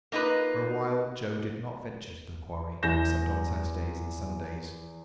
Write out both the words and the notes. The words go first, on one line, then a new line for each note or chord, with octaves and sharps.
For a while Joe did not venture to the quarry except on Saturdays and Sundays.
A#3 D#4 F4 B4
E2 E4 G#5 G6 A#6 E7